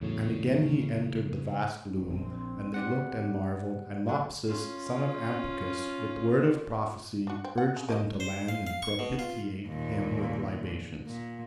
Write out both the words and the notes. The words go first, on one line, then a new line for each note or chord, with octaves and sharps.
And again he entered the vast gloom; and they looked and marvelled; and Mopsus, son of Ampycus, with word of prophecy urged them to land and propitiate him with libations.
E2 A2 C#3 F#3 C#5
G1 G2
A#1 C4
G4 D5 F#5
F#3 A3 D4 A4
C#4 F4
D4 F#4
C4
F#5
C#3
A#3 G4 D#5
C5
F5
F5
C#6
B2
F4
D#2 A#2
A#2